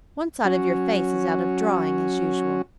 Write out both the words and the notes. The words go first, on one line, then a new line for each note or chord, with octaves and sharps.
One side of your face is out of drawing, as usual.'
F#3 C#4 F#4